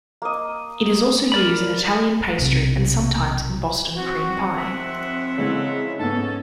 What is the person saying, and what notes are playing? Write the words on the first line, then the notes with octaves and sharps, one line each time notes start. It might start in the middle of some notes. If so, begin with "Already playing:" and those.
It is also used in Italian pastry and sometimes in Boston cream pie.
A#3 D#5
A#4 D5 B5
B1 C3
D#2 F3 C4 F#4 F#5
E5
C#3 E3 F#3 G#3 A4
G#2 B3 C#4 A4